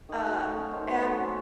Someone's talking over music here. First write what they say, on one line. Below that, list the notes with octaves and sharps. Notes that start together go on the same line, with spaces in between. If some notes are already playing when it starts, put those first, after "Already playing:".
uh, and
D#3 D#5
F#3
A3 C#5
C#4
D#3 C5
F#3 C5
A3 F#4
C#4